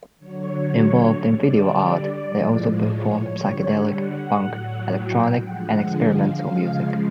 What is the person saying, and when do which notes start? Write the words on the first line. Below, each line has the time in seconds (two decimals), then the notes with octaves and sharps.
Involved in video art, they also performed psychedelic, punk, electronic and experimental music.
0.18 D3 F#3 C#5
1.22 D3 G3 D5
2.26 A2 F3 G#3
2.79 C#5
3.30 D3 G3
3.83 F#5
4.35 A2 F#3
4.87 G5
5.39 D3 F3 G#3 F#5
5.92 F5
6.44 C#3 F3 G#3